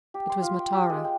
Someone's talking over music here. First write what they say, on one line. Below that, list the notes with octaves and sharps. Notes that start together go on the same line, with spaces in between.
It was Matara.
G4
C6
F4
G5
G4
G#3
G5